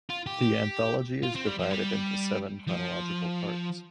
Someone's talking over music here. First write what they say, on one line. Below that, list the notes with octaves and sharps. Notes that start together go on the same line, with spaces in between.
The anthology is divided into seven chronological parts.
F4
G4
F4
C4
G3
F3
G3
F3